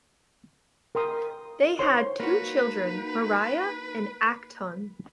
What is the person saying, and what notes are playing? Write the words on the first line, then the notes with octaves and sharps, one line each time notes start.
They had two children, Mariah and Acton.
A#4 G5 C6 D#6
D#4 C5 C#5 C6
A#3 D#4 F#4 B4